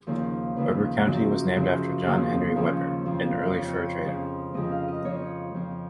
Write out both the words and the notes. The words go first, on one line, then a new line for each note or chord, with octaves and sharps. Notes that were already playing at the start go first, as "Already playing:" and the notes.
Weber County was named after John Henry Weber, an early fur trader.
D#2 C#3 F3
D#2 C#3 F3 B4
F#2 C#3 F3
F#2 C#3 F3
D#2 C#3 F3
D#2 C#3 F3 C#5
F2 F3
F2 F3 C#5
F2 C#3 F3
F2 C#3 F3 D#5
F5
D#5
F2 F3 C#5
F2 F3